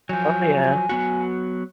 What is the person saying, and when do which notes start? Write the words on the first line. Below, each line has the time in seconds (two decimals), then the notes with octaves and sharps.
Oh, yeah.
0.09 F3 F#3 G#5
0.89 F#3 B3 F#4